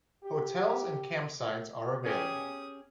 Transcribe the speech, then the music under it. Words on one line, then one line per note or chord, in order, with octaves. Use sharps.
Hotels and campsites are available.
G4
C#4 G4 G#4 D#6